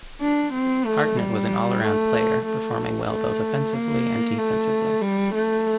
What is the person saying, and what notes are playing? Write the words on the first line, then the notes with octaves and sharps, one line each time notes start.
Hartnett was an all-around player, performing well both offensively and defensively.
D4
C4
A3
G3
A3
A3
A3
A#3
A3
G3
A3